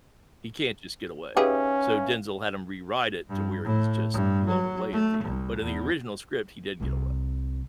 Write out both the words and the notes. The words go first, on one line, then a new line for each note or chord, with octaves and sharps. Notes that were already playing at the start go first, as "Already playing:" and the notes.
He can't just get away," so Denzel had him rewrite it to where he's just blown away at the end, but in the original script, he did get away.
C#4 D#4 G4 G#4 B4 E5 F5
G2
A2
G2
F#3
A3
C2
E2
C2 C4